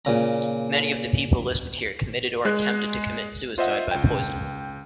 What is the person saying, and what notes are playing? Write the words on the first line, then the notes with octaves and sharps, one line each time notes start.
Many of the people listed here committed or attempted to commit suicide by poison.
A#2 C#3 A#5
G#3 F#6
F4 C5 D#5 E5 F#5
C#2 G5